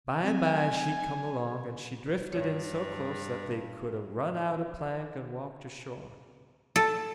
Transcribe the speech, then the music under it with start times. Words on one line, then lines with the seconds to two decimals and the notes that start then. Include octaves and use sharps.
By and by she come along, and she drifted in so close that they could a run out a plank and walked ashore.
0.21 F#3 C4 G#5
2.33 G2 C#5
6.76 A4